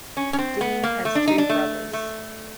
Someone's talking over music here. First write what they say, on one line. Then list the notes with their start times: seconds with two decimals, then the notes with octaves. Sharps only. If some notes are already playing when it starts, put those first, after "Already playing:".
Dean has two brothers.
0.17 C#4
0.33 C#4
0.38 C4
0.61 B3
0.83 A#3
1.05 A3
1.15 D4
1.27 D#4
1.38 D4
1.49 A3
1.93 A3